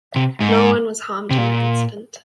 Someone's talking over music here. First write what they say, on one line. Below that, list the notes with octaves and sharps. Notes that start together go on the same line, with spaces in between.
No one was harmed in the incident.
C3
G#2
C3
A#2